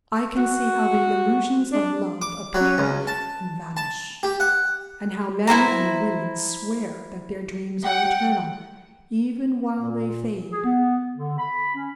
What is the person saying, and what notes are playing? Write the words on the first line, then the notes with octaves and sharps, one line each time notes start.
I can see how the illusions of love appear and vanish, and how men and women swear that their dreams are eternal, even while they fade.
F#4
D4
D6
F#3
C#2
A5
A5
G4
F#5
E4 A4 C5 A#5
F#5 G5
A#2
G#4
B3
D3
B5
C#4